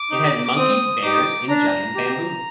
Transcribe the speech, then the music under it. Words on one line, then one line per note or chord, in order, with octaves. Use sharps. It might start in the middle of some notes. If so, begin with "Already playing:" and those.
It has monkeys, bears and giant bamboo.
Already playing: D6
D#4 G4
D6
C4 D#6
D#4 G4 D6
D4 A#5
G4